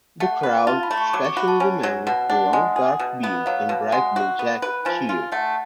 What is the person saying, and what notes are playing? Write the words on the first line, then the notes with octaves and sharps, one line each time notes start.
The crowd, especially the man with the long dark beard and bright blue jacket, cheer.
A3 F#5
B4
F4 A5
B5
A3
C#6
F#3 D6
C#6
F#4 B5
A5
C#4 G#5
F#3
B2 F#5
D4 F#5
G#3
G#4
B2
B3
F#3 F5
B2
G#3 F#5
F#4
B3
B4
F3 G#5
F4
A3 F#5